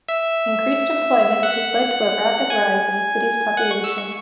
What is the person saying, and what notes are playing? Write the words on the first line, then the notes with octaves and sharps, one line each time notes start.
Increased employment has led to a rapid rise in the city's population.
E5
F#5
G#5
F#5
C#6
E6
C#6